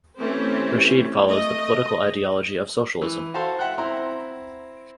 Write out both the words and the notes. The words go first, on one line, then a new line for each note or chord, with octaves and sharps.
Rashid follows the political ideology of socialism.
E3 A3 C4 C#4 G4 C5
A3 D#5
E3
F#4 A4 C5 F5 A5 C6
E5 F#5 G5 F#6
C4 E4 A#5 C6